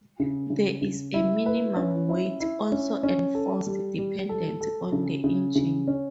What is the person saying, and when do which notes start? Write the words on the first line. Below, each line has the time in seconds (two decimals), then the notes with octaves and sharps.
There is a minimum weight also enforced dependent on the engine.
0.20 C#3
0.50 C#3
0.82 C#3
1.14 E4
1.46 B4
1.76 C#4
2.09 E4
2.40 E4
2.72 C#4
3.03 C#4
3.35 A4
3.67 G3
3.98 G3
4.29 A4
4.61 A4
4.92 C#3
5.24 C#3
5.55 C#3
5.87 C#4